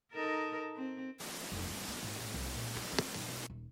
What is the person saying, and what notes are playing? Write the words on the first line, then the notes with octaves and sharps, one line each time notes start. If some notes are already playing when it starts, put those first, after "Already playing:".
Please wait a moment while I am investigating the issue.
D#4 A4 A#4
C4
F1
G2
B3
G#2
A2
C2
A#2
F4
C4
B1
B1
D#1